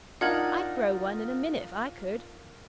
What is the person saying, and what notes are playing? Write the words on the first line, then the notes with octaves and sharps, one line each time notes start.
"I'd grow one in a minute if I could."
D4 D#4 F4 A#4 F5 F#5 G#6 F#7